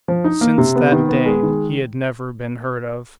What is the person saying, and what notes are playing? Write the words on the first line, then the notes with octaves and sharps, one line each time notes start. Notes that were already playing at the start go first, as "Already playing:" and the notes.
Since that day he had never been heard of.
F3
D#4
A#3
C3
B3
D#3
B3
G#3
D#3